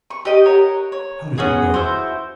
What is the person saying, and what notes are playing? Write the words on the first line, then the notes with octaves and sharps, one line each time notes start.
How did it run?
C#6
G4 D#5
A#4 C#5 F#5
C#5
B3 C#4 F#4 G#4
E4 F#4 C5